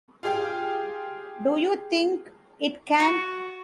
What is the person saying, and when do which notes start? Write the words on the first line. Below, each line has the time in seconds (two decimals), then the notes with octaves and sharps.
Do you think it can?
0.23 F4 G4 G#4 F5 G5
3.00 F#4